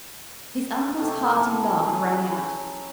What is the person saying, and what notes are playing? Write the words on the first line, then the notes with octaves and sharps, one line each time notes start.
His uncle's hearty laugh rang out.
C3 A3 G4
E4 A4
F#3 C#4 G#4